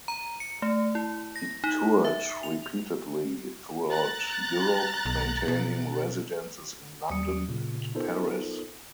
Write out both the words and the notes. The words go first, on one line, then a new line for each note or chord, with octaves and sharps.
He toured repeatedly throughout Europe, maintaining residences in London and Paris.
A#5
C#7
A3
E4
A#6
D#4
E5
F7
A#5 F#6 A6
B1
B2
D#2 G3 D#6 C#7
A#2 C#3
B3 D#4 F4 A4 A#4 C5